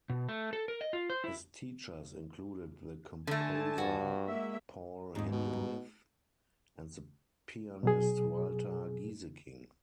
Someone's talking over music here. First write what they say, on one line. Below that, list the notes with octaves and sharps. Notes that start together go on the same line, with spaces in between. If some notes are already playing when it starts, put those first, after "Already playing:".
His teachers included the composer Paul Hindemith and the pianist Walter Gieseking.
B2
A3
A4
A#4
D#5
F4
C5
E4
D3 A3 G#5 A5
G2 F#4
G#3 A#3 E5
F1 D#2 G#2
B2
B2 F#3 G#4